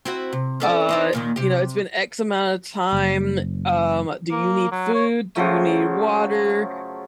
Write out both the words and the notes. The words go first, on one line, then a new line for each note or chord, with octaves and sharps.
uh, "You know, it's been X amount of time, um, do you need food? Do you need water,
C4 E4 F#4
C3
C#4 A4 D5
C4 D#4 D5
D#2 A#2 D#3
C3 G4
F#1
A#3
F#3
C#5
C#3 F3 F#3 A3